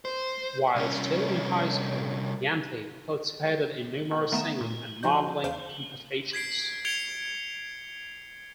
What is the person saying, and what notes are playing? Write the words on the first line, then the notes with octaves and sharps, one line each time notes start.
While still in high school, Yanti participated in numerous singing and modelling competitions.
C5
C2 C#4
B2
D#3 A3 B3 A#5 D#6 E7
A#2
F3 D#4 F#4 D#5 G6
E2 C5 F5 G6
G#6 B6 C7 D7
G#6 C#7 D7 F7 G7